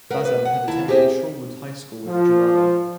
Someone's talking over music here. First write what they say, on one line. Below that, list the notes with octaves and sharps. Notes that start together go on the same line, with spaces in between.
Bazan had attended Shorewood High School with Jurado.
A#4 B4 F5 F#5
B4
F#5
D#2 E4 A5
C4 G4 G#4 B4 C5 E5
F3